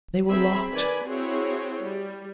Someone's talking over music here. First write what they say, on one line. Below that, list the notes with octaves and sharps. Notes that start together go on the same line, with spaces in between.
They were locked!
C4 G#4 E5 B5
D#3 B4 D5 G#5 B5
C4 E4 F#4 G#4 C#5
G3